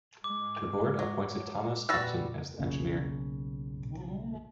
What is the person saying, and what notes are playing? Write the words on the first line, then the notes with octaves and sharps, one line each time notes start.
The Board appointed Thomas Upton as the engineer.
G#2 G#3 D6
F#3
A#2 G3 F#4 B4 E6 A6 A#6
B1 C#3 A#3